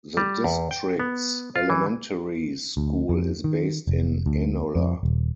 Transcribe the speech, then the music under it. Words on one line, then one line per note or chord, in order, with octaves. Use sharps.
The district's elementary school is based in Enola.
G3
E2
G5
B3
F4
E3
D2
F2
D#3
F1
D2
F2
D#1